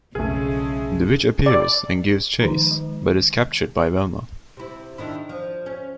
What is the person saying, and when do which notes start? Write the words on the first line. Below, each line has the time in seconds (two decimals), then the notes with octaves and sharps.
The witch appears and gives chase, but is captured by Velma.
0.15 B1 F2 C#3 G#3 A3 G#4
1.46 D5
2.40 D#3 F3 G#3 D#4 A#5
2.71 G#3
4.57 C3 E4
4.98 D#3 D4 E4
5.29 F3
5.66 C#4